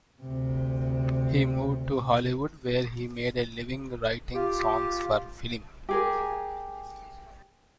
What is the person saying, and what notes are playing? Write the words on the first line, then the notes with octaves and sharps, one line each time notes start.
He moved to Hollywood where he made a living writing songs for film.
D2 C3
F4 G4
G4 G#4 A#4